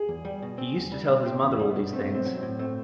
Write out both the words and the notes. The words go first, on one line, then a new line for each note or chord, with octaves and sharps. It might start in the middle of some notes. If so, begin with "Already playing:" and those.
He used to tell his mother all these things.
Already playing: G#4
E2
G3
B2
C4
E2
G3
B2
C4 G4
E2
C#4
G3
B3
B2
A3 C4
B1 C4
F#3
C4
A2
A3 C4